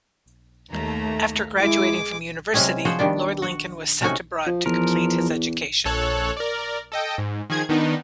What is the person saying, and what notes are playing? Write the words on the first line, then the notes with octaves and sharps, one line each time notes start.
After graduating from university, Lord Lincoln was sent abroad to complete his education.
D#2 A3 A#3 A#5
G#3 E4 G#4 D6
C3 F#3 G#3 C#4 G#4
F3 F#4 G#4 C5
D#3 G3 B3 D4
F#4
C3 A3 C#4 D#4 F#4 G#5
F3
E2 F3 A#4
A#1 A4 C#5 F#6
A#4 D5
A4 D#5 G5
G#2
D#3 F3 G#4 G#6
D#3 B3 D4 D#4